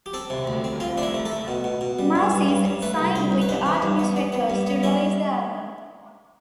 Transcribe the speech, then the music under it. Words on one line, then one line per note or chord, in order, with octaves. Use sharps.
Mascis signed with Artemis Records to release the album.
G4
C4 A4
C3
D2
C4
C4 F4
A3 D4
E4
A3
A4
A3
B2
B2
B2
G3
G2
G2
G2
G2
A3 B4
C2
C2 C5
C2
B4
G2 C5
E3
G2
B3
B3
B3
G2
B3
G3 E4